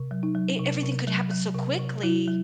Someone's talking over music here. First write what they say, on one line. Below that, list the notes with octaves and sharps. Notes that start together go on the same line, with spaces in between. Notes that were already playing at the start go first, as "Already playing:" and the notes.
E everything could happen so quickly
Already playing: C3
F#3
D#4
F#3
C3
C3
F#3
F#3
C3
C3
F#3 E4
F#3